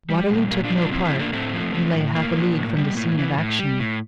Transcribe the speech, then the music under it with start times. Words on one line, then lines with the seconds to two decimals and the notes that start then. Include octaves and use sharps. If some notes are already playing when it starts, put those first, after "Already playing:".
Waterloo took no part, and lay half a league from the scene of action.
0.10 G3
0.30 A#2
0.51 A#2 A#3
0.64 D4 F4
0.71 G3
0.78 D4 F4
0.91 F3 C4 E4
1.05 C4 E4
1.12 A2
1.19 A#3 D4
1.33 A2 A3 C4
1.53 F3
1.74 F3
1.95 A2
2.15 A2 A#3
2.36 F3
2.57 A2
2.77 G3
2.97 A2
3.18 E3
3.38 A2
3.59 G3
3.79 A2